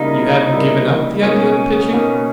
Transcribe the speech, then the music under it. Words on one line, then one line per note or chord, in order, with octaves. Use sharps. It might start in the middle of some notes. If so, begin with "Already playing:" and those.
"You haven't given up the idea of pitching?"
Already playing: C#3 G3 A#3 D#4 E4
C#3 G3 A#3 E4
B2 A#3 C#4 D#4
B2 A#3 D#4